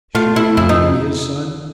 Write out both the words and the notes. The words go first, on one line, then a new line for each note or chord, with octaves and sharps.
Should it not be his son?
A3 F4
A3 E4
F2 E4
D#4